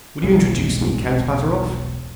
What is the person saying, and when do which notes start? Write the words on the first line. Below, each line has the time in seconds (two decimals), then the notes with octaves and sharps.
"Will you introduce me, Count Pateroff?"
0.23 E1 B1 G#3